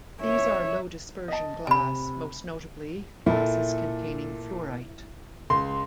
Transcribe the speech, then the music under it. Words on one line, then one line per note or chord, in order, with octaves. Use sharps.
These are low dispersion glass, most notably, glasses containing fluorite.
C#5 E5
D#5 A5
C3 G#5 B5
A#2 E4 A4
C#2 C6